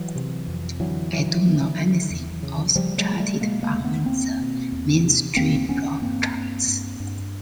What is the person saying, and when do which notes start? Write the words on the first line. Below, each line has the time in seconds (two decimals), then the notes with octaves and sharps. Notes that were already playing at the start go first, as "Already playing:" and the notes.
"I Don't Know Anything" also charted on the Mainstream Rock charts.
Already playing: E3 F#3
0.15 C3
0.48 F2
0.80 D3 E3 F#3
1.12 D3 E3 F#3
1.45 D3
1.78 D3
2.10 E2
2.43 C#3
2.75 C#3 F3 G3
2.98 F#3 G#3
3.09 C#3
3.19 G3 A3
3.41 B2 G#3 A#3
3.63 G#3 A#3
3.74 E2
3.85 A3 B3
4.06 E2 A#3 C4
4.40 B2
4.72 E2
5.04 C3
5.36 E2 A#3 C4
5.69 E2 B3 C#4
6.02 G2 A#3 C4
6.35 G2
6.67 G2
7.00 G2